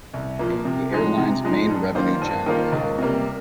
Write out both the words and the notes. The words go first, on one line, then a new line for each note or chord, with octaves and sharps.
The type became the airline's main revenue generator.
C2
A#2 F3 A#3
C3
F3 G#3 D#4
C3
F3 G#3 D#4
G2
D#3 A#3 F4 C5
G2
D#3 A#3 F4 C5
C#2
C3 G3 A#3